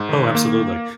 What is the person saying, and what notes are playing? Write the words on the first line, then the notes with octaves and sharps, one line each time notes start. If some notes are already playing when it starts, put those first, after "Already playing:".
Oh, absolutely.
Already playing: G#2
D#3
A#3